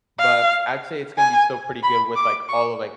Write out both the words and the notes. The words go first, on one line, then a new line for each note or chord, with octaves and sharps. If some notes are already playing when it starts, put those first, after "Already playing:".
but I'd say it's gonna be still pretty good with, like, all of, like,
F5
G#5
B5
D6
C#6